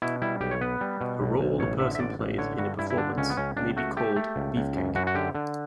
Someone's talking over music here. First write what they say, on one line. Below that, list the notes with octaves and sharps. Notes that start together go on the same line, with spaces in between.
A role a person plays in a performance may be called "beefcake".
B2 E4
G3 E4
B1 G4
C#5
B3 B4
G3
B2
B1
B1
A1 C#5
D3 E5
E5
A1 D5
A1
D3 C#5
G2 F#4
G2 E4
E4
D3 D4
C#2 C#4
B3
C#2 C#4
C#2 D4
A3 F#4
A3 G4
A3
C#2
C#2
F#2
F#2 F#4
F#4
D3 G4
D3